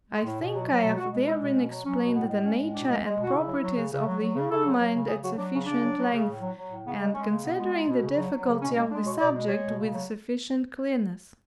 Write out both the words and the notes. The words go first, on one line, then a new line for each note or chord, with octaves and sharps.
I think I have therein explained the nature and properties of the human mind at sufficient length, and, considering the difficulty of the subject, with sufficient clearness.
G#3
A2
B2
F#3
F#3
B2
B2 F#4
G#3
G#3 E4
B2
B2 C#4
F#3
F#3 C#4
B2
A2 B3
G#3
G#3 C#4
A2
B2 D4
G#3
G#3
B2
F#4
C#3 E4
F#3
F#3
C#3
C#3
F#3
F#3
C#3
C#3 A4
F#3
F#3
C#3
C#3 G#4
F#3 F#4
F#3 D4
C#3 C#4
C#3 D4
F#3
F#3
C#3
A2
F#3
F#3
A2
C#3 B3
G#3
G#3 C#4
C#3
B2 B3
G#3
G#3
B2
C#3
F#3
F#3
C#3
B2 C#4
G#3 C#4
G#3 D4
B2 C#5
B2 D5
G#3
G#3 C#5
B2
C#3
F#3